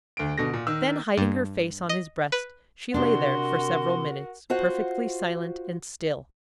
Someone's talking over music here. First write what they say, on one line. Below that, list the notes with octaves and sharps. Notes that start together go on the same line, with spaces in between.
Then hiding her face on his breast, she lay there for several minutes perfectly silent and still.
D2 D7
B2 D3 A#6
A#2
D#3 E6
G2
D#5
B4
C3 D4 F#4 A#4 C6
F4 F#4 C5 F#5